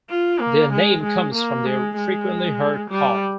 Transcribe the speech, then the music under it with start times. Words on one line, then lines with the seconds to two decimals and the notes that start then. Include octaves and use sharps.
Their name comes from their frequently heard call.
0.10 F4
0.41 A#3
0.72 G#3
1.03 G#3
1.34 A#3
1.66 G#3
1.97 G#3
2.90 G3